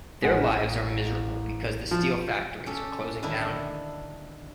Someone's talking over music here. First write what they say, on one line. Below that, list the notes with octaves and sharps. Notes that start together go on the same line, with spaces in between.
Their lives are miserable because the steel factories are closing down.
A1 G#3 F#5
F3
C#4 G4 A4
D3 D#3 D4 E4